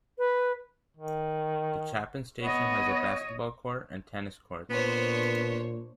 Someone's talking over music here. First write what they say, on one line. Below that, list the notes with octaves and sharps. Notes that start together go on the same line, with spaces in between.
The Chapin Station has a basketball court and tennis courts.
B4
D#3
B3 C#5 D#5
A#2 B3 D4 C5 C#5